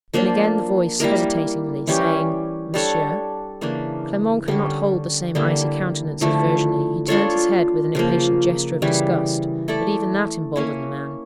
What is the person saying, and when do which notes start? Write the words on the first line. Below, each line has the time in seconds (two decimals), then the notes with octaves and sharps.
Then again the voice, hesitatingly, saying, 'Monsieur!' Clement could not hold the same icy countenance as Virginie; he turned his head with an impatient gesture of disgust; but even that emboldened the man.
0.14 F3 A#3 D4 F4
1.00 G3 A#3 E4 A#4
1.87 E3 G3 C#4 G4
2.74 G3 D4 A4 C#5
3.61 C#3 E3 A#3 D4
4.48 D3 G3 C#4
5.35 D3 G3 A#3 E4
6.21 D3 F3 A3 E4
7.08 D4 F4 A4 C#5
7.95 C#3 F3 A#3
8.82 C#3 E3 G3
9.68 A3 E4 A4 D5
10.56 A#3 C#4 E4